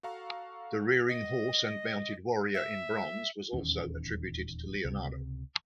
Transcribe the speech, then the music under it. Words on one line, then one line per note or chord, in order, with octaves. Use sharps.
The Rearing Horse and Mounted Warrior in bronze was also attributed to Leonardo.
F#4 A4 F5 A#5 C#6
D#5
E5
D#1 E2 D#3 C#4
C#2 C3